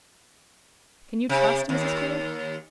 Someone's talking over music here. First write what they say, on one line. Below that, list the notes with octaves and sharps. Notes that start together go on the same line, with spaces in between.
"Can you trust Mrs. Clear?"
C3
D#2